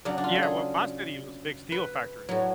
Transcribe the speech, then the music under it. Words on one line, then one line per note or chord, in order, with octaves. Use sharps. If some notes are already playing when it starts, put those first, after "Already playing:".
Yeah, well, my city is a big steel factory.
C#3 F#3 D4
D4
F4
A4
G#4
B4
A2 F#3